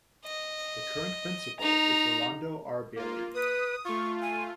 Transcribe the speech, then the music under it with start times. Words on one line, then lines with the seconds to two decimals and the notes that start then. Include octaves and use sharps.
The current principal is Rolando R. Bailey.
0.26 D#5
1.60 D#4 A#5
2.96 A#3 F4
3.34 B4 D#6
3.85 A3 F4 C#6
4.21 G#5